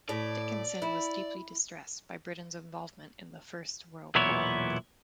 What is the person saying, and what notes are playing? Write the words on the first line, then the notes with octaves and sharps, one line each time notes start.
Dickinson was deeply distressed by Britain's involvement in the First World War.
A2 D5
E4
B1 E2 A#2 B3 E4 C#5